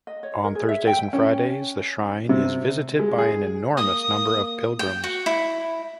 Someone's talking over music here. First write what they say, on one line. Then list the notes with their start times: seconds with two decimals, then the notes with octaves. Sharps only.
On Thursdays and Fridays, the shrine is visited by an enormous number of pilgrims.
0.07 D#5
0.23 C#5
0.44 A#4
0.55 G#4
0.69 E5
0.87 G5
1.13 C#4
2.29 C3
2.99 G#3
3.18 G#4
3.77 A#3 D#6
4.79 G5
5.03 F#4
5.26 E4